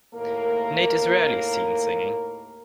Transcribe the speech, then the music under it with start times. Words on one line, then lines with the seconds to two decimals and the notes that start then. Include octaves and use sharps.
Nate is rarely seen singing.
0.14 D#2 A2 A#3 A#4